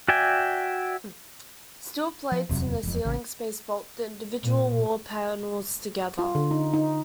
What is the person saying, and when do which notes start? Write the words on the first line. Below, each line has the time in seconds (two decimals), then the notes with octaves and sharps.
Steel plates in the ceiling space bolt the individual wall panels together.
0.08 F#4 D5 E5 G5 G#5
2.32 F3
2.49 D#1 F2 C3 F#3
2.83 E1 F2
3.05 A1 C#3
4.42 A#2
6.19 F4
6.35 D3
6.51 D#4
6.74 D#4